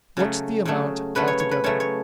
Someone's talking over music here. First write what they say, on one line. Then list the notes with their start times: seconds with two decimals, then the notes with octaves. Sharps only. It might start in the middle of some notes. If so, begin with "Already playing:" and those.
'What's the amount altogether?'
0.17 C#3 F#3 A3
0.65 C#3 F#3 A3
1.15 C#3 F#3 A3 B4
1.28 C#5
1.40 C#5
1.51 B4
1.64 C#3 F#3 A3 C#5
1.80 C#5